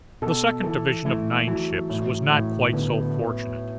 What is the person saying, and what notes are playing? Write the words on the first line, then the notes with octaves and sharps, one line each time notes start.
The second division of nine ships was not quite so fortunate.
B2 A4
E3 A4
E3 A3
E3 F#3
A2
A2
D3 B3